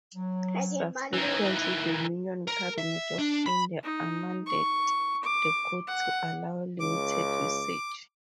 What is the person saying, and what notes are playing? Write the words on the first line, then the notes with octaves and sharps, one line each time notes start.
Subsequently, the Union Cabinet of India amended the code to allow limited usage.
F#3
D#3 E3
A#4
E5
D4
B5
D#4
C#6
D6
F#5
C#2 D6